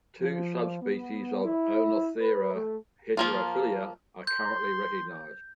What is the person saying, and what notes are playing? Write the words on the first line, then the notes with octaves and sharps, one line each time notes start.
Two subspecies of "Oenothera heterophylla" are currently recognized.
F3
B3
E4
B4
A3
F3 A#3 F4
C6 G6